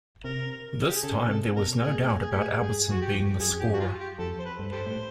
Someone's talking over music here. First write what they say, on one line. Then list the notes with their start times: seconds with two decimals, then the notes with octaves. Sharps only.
This time there was no doubt about Albertsen being the scorer.
0.24 C3 A#4
0.88 G4
0.96 G#4
1.03 C#3 A4
1.29 C3 A4
1.56 B2 A#4
1.82 A#2 G#4
2.04 A2
2.09 A#2
2.21 G#4
2.31 G4
2.36 A2
2.40 G#4
2.62 G2 G#4
2.88 F#2 F#4
3.02 G4
3.14 F2
3.40 F#2 G#4
3.51 F2
3.60 F#2 G4
3.73 F#4
3.80 F4
4.00 G4
4.19 F2 A4
4.39 C5
4.45 B4
4.59 G2
4.72 G4 A4 C5
4.86 A2